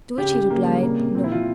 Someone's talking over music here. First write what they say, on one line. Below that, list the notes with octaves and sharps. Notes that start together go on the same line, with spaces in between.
To which he replied, "No."
C#3 G4
C#3
C#3 A#3
G3
C3 A#3
C3
A#2 C4
E4
F3 F4